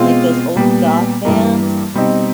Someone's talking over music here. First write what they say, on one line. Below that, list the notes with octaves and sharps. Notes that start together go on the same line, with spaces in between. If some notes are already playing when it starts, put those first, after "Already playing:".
like those old goth bands.
Already playing: B2 G#3 C4 F4
A#2 G3 B3
G2 E3 G3 A#3
B2 G3 C4 D#4